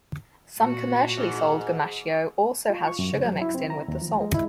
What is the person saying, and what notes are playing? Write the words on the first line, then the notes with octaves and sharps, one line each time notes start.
Some commercially sold gomashio also has sugar mixed in with the salt.
A#2 F#4
G#2
F4
C#6
F#2
C#3
F#3
E4
C4
A#5
D#2
F3
G#3
E4